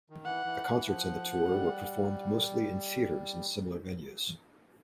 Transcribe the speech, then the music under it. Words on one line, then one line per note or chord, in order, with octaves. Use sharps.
The concerts on the tour were performed mostly in theaters and similar venues.
D#3
E3 F#5
E3
E3
F3 F#5
G3